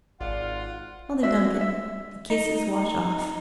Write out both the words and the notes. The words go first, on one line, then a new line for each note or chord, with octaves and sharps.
"Mother Duncan, do kisses wash off?"
G#1 F4 D5 F#5
D4 F#4 E5
E5
D#4